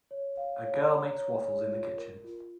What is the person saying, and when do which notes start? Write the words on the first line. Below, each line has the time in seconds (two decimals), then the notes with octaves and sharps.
A girl makes waffles in the kitchen.
0.11 C#5
0.37 F5
0.65 C#5
0.90 A#5
1.18 C#5
1.45 C#5
1.71 F4
1.98 A#4
2.24 F4